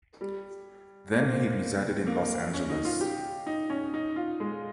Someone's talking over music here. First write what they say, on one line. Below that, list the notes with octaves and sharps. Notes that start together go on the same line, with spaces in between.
Then he resided in Los Angeles.
G3
A#3
C4
A#3
A#3
C#4
D#4
F4
G4
D#4
C#4
D#4
F4
G#3